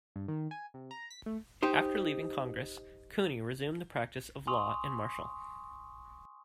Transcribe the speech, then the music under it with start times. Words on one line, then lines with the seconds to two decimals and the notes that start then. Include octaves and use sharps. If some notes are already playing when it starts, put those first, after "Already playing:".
After leaving Congress, Cooney resumed the practice of law in Marshall.
0.16 G2
0.28 D#3
0.51 G#5
0.74 C3
0.91 A#5
1.10 B6
1.26 A3
1.63 D#4 G4 C5
4.47 G#5 C6 C#6 D#6 E6 F7